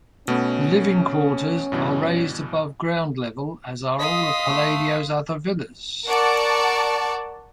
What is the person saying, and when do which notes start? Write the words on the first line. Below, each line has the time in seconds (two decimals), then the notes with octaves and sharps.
The living quarters are raised above ground-level, as are all of Palladio's other villas.
0.28 B2 A3 B3 C#4
1.72 G2 B2 E3
3.99 D#5 F5 C6 D#6 B6
4.50 A3
6.07 A#4 D5 F#5 A5 C#6